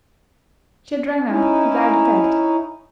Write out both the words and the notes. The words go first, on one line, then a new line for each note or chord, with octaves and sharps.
She had rung up without effect.
C#4 D#4 E4